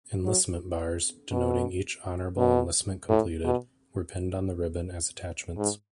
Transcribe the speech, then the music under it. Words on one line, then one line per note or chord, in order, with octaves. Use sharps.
Enlistment bars, denoting each honorable enlistment completed, were pinned on the ribbon as attachments.
F#3
B2
B2
A2
B2
G#2